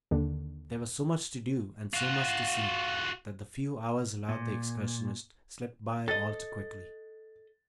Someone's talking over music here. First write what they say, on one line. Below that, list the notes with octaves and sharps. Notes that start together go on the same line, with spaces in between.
There was so much to do and so much to see that the few hours allowed the excursionists slipped by all too quickly.
D#2 D3
F4 F#4
A#2
A4 D#5 A6